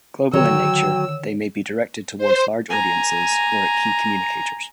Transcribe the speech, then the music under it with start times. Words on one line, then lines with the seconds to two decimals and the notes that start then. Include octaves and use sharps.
Global in nature, they may be directed toward large audiences or at key communicators.
0.33 D3 D#3 F#3 C#5 G5 E6
2.18 C5
2.69 G#5 A#5